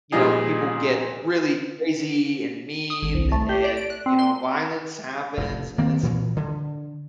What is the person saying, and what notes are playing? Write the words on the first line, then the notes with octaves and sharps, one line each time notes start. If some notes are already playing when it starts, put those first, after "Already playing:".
you know, people get really crazy and mean and, you know, violence happens, and it's
A#2 F3 G3 D#4 G#4
D#6
G#1
C2
A3
G4
D5
D7
F#6
C4
C6
F1 A2
D#3 A#3 C4
A#2 E3 F#3
D3